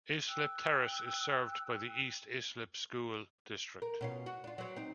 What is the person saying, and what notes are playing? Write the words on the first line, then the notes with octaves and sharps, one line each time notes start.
Islip Terrace is served by the East Islip School District.
G5 E6 F#6
A#4
B2 C#4 F4
F#4
D4 F4
F#3 C4
C4 D#4